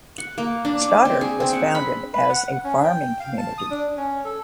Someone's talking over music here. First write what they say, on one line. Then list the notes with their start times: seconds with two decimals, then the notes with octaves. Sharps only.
Stoddard was founded as a farming community.
0.18 F#5
0.38 A#3
0.65 D4
0.82 D6
1.05 C4
1.21 G#4
1.40 C4
1.53 F#5
1.75 B5
2.14 B4
2.29 F#5
2.47 F#5
2.64 C#4
2.84 G5
3.20 F5
3.38 A5
3.58 D#6
3.70 D4
3.97 C#4
4.25 A4